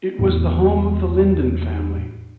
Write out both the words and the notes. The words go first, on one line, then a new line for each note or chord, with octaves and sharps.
It was the home of the Lyndon family.
E2 A2